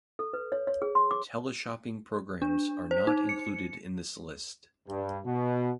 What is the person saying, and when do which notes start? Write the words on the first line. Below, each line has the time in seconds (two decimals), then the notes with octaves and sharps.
Teleshopping programs are not included in this list.
0.19 A4
0.33 B4
0.52 C#5
0.67 C#5
0.82 G#4
0.95 C6
1.11 D6
2.42 D4
2.91 C5
3.07 D#4
3.29 C#7
4.89 G2
5.25 B2